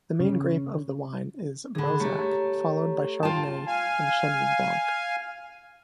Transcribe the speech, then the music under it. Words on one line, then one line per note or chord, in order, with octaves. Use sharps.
The main grape of the wine is Mauzac, followed by Chardonnay and Chenin blanc.
C#3
D2 D3 G#4 B5
A3 G4 C#5 A#5
F4 G5 A5
F5 G#5